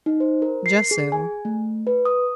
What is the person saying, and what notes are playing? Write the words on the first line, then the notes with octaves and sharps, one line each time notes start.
"Just so."
D#4
C5
A#4
C7
G#4
G#5
A3
B4
D#6